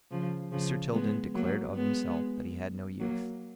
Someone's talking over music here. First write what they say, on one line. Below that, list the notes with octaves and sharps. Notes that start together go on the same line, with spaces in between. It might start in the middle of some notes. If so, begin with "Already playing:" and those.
Mr. Tilden declared of himself that he had no youth.
C#3 F3
C#3 F3
G#3 B3
F#3 A#3
G#3 B3
F#3 A#3